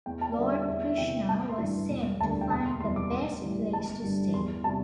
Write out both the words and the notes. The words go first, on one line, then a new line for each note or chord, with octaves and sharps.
Lord Krishna was sent to find the best place to stay.
E2 G5
A5
D5
D3 G3 E5
D5
E2 E5
E5
C3 E3 G5
A1 A5
C6
G2 E3 G3
E1
D2 D3 G3 A5
G5
E1 A5
C6
E2 C3 E3 G3 C6
D6
A1 C6
A2 E3 G3
G1 A5
G2 D3 G3
E2 C6
C3 G3 A5